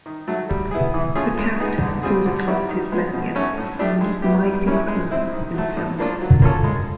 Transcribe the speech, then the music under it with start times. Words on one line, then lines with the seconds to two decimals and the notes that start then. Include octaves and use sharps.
The character, who is a closeted lesbian, performs "My Secret Love" in the film.
0.06 D#3
0.28 F#3 A3
0.49 G3
0.71 B3 E4 G#4
0.94 E3
1.15 A3 C#4 F4 G#4
1.38 G#3
1.60 B3 D#4 G#4
1.81 D3
2.03 G3 C4 F4 G#4
2.26 D3
2.47 G3 B3 E4
2.69 D#3
2.92 G#3 B3
3.14 B2
3.35 F#3 A3 C#4 F#4
3.58 A2
3.79 F3 A3 D4 G4
4.01 G#3
4.22 B3 E4 G4
4.45 G3
4.67 A#3 C#4 E4
4.88 G#3
5.11 C4 E4
5.32 D#3
5.54 F#3 A3
5.77 A2
5.98 F3 A#3 D4 F4
6.21 F#3
6.42 A#3 C#4 F4 A4
6.64 G#3